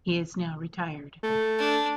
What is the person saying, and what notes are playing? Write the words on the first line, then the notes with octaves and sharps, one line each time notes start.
He is now retired.
A3
D4